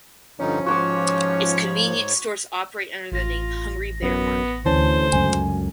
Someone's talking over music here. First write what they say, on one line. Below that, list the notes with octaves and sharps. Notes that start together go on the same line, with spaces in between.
Its convenience stores operate under the name Hungry Bear Market.
G2 D3 F3 C#4 D#4
G#2 F#4 C#5 C6 D6
A1 F4 A#6
F#2 B3
D2 E3 C#4 C5 A5
C#2 F#2 G#5